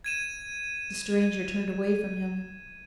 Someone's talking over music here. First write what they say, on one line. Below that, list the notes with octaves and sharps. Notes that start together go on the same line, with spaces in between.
The stranger turned away from him.
G#6 D#7 E7